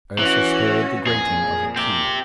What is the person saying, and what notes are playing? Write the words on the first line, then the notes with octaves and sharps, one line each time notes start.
Ursus heard the grating of a key.
E3 C#4 F#4
F2 A#2 G#4
C4 G4